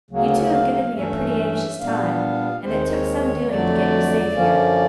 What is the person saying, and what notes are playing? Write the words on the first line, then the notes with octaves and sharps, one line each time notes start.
You two have given me a pretty anxious time, and it took some doing to get you safe here.
D2 C#3 F#3 A#3
F5
F5
G2 E3 A3 C#4 E5
A#2 G3 B3 D4 F5
D#2 D#3 G#3 C4 C5
C#5
C#5
F2 D3 F#3 A3 D5
F#2 D3 F3 A#3 C#4